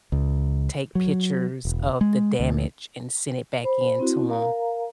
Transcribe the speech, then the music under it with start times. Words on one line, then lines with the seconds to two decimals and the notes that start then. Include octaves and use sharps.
take pictures of the damage and send it back in to 'em.
0.12 C#2
0.95 F#3
1.65 E1
2.01 G#3
2.40 D2
3.64 C5 B5
4.00 C4 E4 F#4
4.29 A#4 F5 A#5